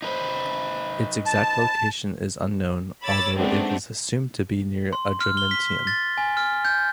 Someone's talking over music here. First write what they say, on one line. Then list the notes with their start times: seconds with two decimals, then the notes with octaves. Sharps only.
Its exact location is unknown although it is assumed to be near Adramyttium.
0.02 D#4 B4 C5
1.26 A5
3.04 C#5 B5 D6 E6 A6
3.38 G#3 A3 B3 C4 D4 D#4
4.93 C6
5.21 F6
5.37 G7
5.51 B6
5.87 A6
6.18 G#5
6.37 F6
6.65 G6